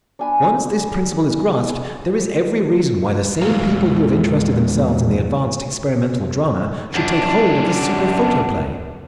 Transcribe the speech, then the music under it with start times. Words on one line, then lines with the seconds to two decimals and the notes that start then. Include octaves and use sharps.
Once this principle is grasped there is every reason why the same people who have interested themselves in the advanced experimental drama should take hold of the super-photoplay.
0.19 D4 G#5 B5
3.42 E2 A#2 G#3 F5 A#5
6.96 F#2 D4